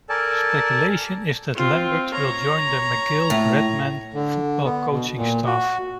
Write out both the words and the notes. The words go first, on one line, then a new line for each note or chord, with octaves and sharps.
Speculation is that Lambert will join the McGill Redmen Football coaching staff.
A4 A#4 D5 G#5 A5
C4 F4
C#5 A#5
A2
D3
B3
B2
A#2
F#4